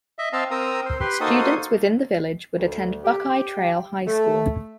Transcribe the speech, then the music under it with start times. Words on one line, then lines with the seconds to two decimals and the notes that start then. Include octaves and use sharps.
Students within the village would attend Buckeye Trail High School.
0.19 D#5 E5
0.33 C4 D#5 F5 A5 E6
0.51 C4 A#4 A#5 D#6 E6
0.85 C5
1.00 G4 B4 C6
1.21 A#3 D#4 F#4 A4 C5 D#6
2.57 D2
3.04 G4
4.06 A3